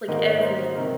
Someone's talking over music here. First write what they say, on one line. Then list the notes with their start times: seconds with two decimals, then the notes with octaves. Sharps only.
Like, everything.
0.08 G#2 D#3 A#3 D#4 D#5
0.26 C#5
0.42 C5
0.75 C3 D#3 A#4